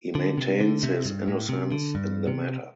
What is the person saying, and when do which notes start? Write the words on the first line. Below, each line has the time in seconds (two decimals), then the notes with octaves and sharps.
He maintains his innocence in the matter.
0.15 D3
0.38 C3
0.61 D3
0.83 C3
1.05 G2
1.28 A2
1.49 C3
1.72 D3
1.95 G2
2.27 C3